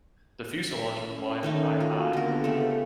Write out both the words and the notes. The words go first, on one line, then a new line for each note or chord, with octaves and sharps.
The fuselage was wide by high.
E5
C#4
D#3 A3 D#4
D#3 A#3 F4 F#4
D3 B3 G4 A4 A#4
C#3 A3